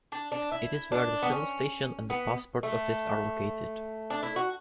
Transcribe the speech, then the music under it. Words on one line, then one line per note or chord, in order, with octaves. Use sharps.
It is where the Civil Station and the Passport Office are located.
D4
D4
E4
D4
B3
C#4
B3
A3
D4
E4
F#4